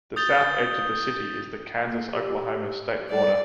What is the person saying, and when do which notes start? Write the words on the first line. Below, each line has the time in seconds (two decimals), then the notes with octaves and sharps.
The south edge of the city is the Kansas-Oklahoma state border.
0.16 D#6 G6 A6 F7 G7
1.83 A#3
2.12 G4
3.10 G3 D5